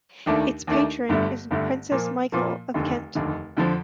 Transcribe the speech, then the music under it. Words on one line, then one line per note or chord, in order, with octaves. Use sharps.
Its patron is Princess Michael of Kent.
D#2 D#3 A3 D4
D#2 D#3 A3 D4
G1 G2 D3 A3
G1 G2 D3 A3
A#2 F3 A#3
A#2 F3 A#3
F1 D#2 D3
F1 D#2 D3
F2 D3 F3